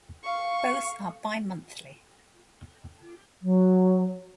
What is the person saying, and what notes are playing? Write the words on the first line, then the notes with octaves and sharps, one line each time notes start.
Both are bi-monthly.
F5 C#6
F#3